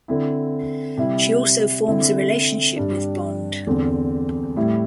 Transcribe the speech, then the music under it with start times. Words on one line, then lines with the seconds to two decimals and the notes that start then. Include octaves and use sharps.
She also forms a relationship with Bond.
0.08 D3 C4 E4
0.97 C3 G3 E4
1.88 D3 C4 E4
2.76 G2 G3 D4
3.67 E2 D3 C4
4.57 A2 G3 E4